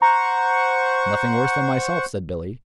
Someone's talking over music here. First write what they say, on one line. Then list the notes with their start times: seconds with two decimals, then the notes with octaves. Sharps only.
"Nothing worse than myself," said Billy.
0.02 C5 F#5 A#5 C#6